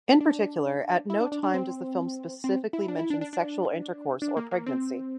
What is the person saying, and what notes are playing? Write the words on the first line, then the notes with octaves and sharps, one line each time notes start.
In particular, at no time does the film specifically mention sexual intercourse or pregnancy.
D4
E4
D4
D4
D4
C4
C4
E4
D4
E4
D4
D4
D4
D4
A#3
A#3
C4